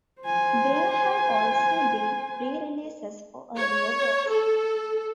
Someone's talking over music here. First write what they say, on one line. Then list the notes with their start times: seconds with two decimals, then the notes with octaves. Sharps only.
There have also been re-releases for earlier works.
0.22 C5 G#5
3.59 C#5
4.29 A4